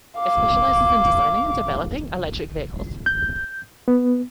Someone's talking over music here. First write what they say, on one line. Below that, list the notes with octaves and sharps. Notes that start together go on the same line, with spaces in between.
It specializes in designing and developing electric vehicles.
F5 D6
G6
B3